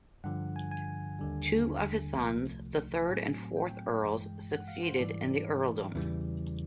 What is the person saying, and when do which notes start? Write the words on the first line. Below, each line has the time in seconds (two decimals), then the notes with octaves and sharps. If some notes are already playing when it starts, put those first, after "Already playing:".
Two of his sons, the third and fourth Earls, succeeded in the earldom.
0.24 G2 D3 F3 F#5
0.56 G#5
0.71 G#5
1.19 D#2 D3 G3
2.13 C2 C3 F3 A3
3.09 A2 F#3 A3 C4 G#5
3.57 G5
4.04 G2 E3 G#3
4.52 F#5
4.68 F5
4.83 C5
4.99 G#2 E3 G3 D5
5.95 E2 C#3 E3 G3